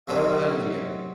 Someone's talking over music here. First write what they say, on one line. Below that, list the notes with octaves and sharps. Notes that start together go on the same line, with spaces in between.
Uh, yes.
C3 F#3 C4 A#4
C#5